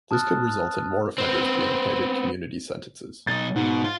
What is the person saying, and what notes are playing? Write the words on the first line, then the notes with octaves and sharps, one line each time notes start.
This could result in more offenders being handed community sentences.
A5 D#6 F6 F#6 A6
B3 C4
B1 D#4 A6
G#2 B2
F4